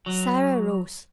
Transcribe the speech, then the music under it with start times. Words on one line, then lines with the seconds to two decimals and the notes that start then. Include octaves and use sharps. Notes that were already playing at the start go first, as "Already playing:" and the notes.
Sarah rose.
0.06 F#3